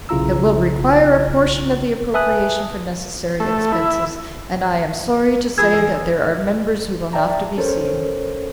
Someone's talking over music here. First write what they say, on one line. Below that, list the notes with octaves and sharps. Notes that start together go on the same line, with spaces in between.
It will require a portion of the appropriation for necessary expenses, and I am sorry to say that there are members who will have to be seen.
B1 C#3 E4 F4 A#5 E6
B4 E5 G#5 A5 D#6 F#6
A3
E4
F3 G#4 B5 E6 G#6
E2
D5 E5 G5 A5 A#5
C#4 A4 A#4 C5 C#5